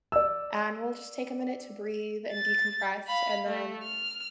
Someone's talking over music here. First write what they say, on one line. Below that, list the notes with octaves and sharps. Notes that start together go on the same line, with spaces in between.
and, we'll just take a minute to breathe, and decompress, and then
D5 E6
A6
F5 B5
A3
F6